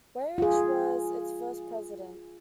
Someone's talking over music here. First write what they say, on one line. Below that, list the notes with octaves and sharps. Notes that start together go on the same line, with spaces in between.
Weyrich was its first president.
F4 G#4